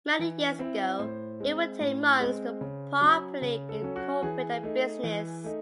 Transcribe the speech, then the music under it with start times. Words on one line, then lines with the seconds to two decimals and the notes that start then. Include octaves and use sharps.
Many years ago, it would take months to properly incorporate a business.
0.19 E3
0.59 C4 E4
0.99 A2 C5
1.40 G#3 C4
1.80 A2
2.20 G#3 C4
2.61 C#3
3.01 F#3 C#4
3.42 C#3
3.69 A4
3.82 F#3 C#4
3.96 F#4
4.22 E3 G#4
4.63 A3 D#4
5.03 E3
5.44 A3 D#4